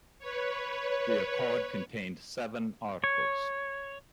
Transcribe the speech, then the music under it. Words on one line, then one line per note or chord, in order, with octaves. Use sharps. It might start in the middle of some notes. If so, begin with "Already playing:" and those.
The accord contained seven articles.
B4 C#5
C#5